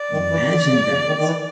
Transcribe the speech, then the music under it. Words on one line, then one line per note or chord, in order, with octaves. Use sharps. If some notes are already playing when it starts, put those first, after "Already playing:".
Imagine That!
Already playing: D5
D#3
E3
D#3
D3
C#3
C#3
D#3
D#3
E3